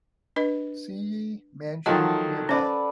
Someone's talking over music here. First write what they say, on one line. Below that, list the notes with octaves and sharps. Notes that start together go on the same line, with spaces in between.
Seay Mansion nearby.
D4 B4 D#5
D#3 F3 F#3 A4 D#5 F#5 G5 A5
C#4 B4 C5 D5 A5